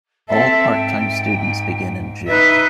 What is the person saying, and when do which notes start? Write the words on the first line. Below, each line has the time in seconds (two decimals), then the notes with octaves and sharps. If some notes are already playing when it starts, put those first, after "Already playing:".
All part-time students begin in June.
0.29 C4 A4 E5
0.73 G#2 G5
2.27 D#4 B4 E5